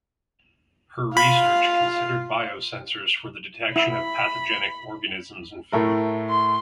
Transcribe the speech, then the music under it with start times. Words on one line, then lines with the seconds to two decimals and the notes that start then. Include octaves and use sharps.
Her research considered biosensors for the detection of pathogenic organisms in food.
1.17 F4 F5 B5
3.76 E4 B5
5.72 A2 A3 A#4
6.29 C6